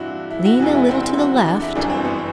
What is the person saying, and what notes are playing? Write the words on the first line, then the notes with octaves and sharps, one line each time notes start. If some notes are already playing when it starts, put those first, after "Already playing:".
Lean a little to the left.
Already playing: G2 E3 C4 D4 E4 F#4
E4
F#4
E1 E2 C3 E3 E4
E4
C4
C4
F#4
D4
E4
G1 F#2 E3 D4
C4
B3